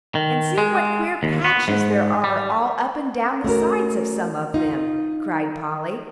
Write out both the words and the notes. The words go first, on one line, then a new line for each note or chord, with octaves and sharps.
"And see what queer patches there are all up and down the sides of some of them," cried Polly.
D#3
G#3
D#2
B3
G#2
G3
A3 C#4 F#4 A#4
D#4 F4